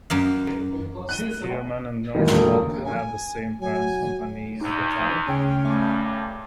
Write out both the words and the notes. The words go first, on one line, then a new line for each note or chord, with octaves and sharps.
Stearman and Northrop had the same parent company at the time.
F#2 A#3 F5
F#6 D#7 G7
D#3 E3 F#3 G#3 A#3
E1 A#2 A#3 A4
G#5
F#3 G#5
E2 D#4
D2 C#3 C#4 G5
A#1 G2 A3